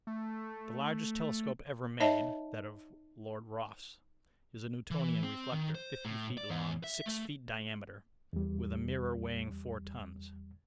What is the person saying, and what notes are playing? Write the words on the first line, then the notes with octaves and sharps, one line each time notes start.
The largest telescope ever made, that of Lord Rosse, is a Newtonian reflector, fifty feet long, six feet diameter, with a mirror weighing four tons.
A3
D#4 C#5 D#5 E5 A5
E3
C4
D#3
C5
A2
D5
E2
E5
A3
E2 G3